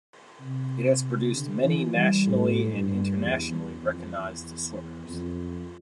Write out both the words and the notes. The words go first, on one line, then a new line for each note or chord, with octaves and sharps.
It has produced many nationally and internationally recognised swimmers.
C3
D3
E3
G3
A2
G2
E2
E2
F2
E2
F2